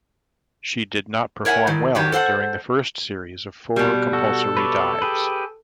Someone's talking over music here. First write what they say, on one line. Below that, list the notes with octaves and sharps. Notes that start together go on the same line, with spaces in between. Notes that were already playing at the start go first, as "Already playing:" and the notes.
She did not perform well during the first series of four compulsory dives.
A#4 C#5 E5 F#5 G#5
A2 D#3
G#2 D#3 F#3 G4
A4 C5 F5 F#5
B2 G3
F#4 A4
B4 C#5 D5
G4 G#4 B4